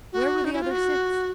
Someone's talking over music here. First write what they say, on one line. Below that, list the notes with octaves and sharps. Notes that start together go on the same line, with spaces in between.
Where were the other six?
F#4
D#4
E4
F4
F#4